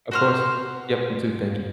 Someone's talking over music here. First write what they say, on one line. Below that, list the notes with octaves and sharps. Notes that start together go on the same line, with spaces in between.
Of course. Yup, you too, thank you.
F#4 C5 F6